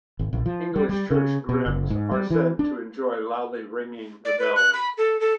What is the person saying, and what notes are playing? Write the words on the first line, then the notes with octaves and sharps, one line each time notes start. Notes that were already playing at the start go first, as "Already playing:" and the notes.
English church grims are said to enjoy loudly ringing the bells.
G#1
A#1
F3
G3
G3
C#3
B2
F#1
G#2
G3
E3
D4
D5
B4
F#6
B5
A4
A4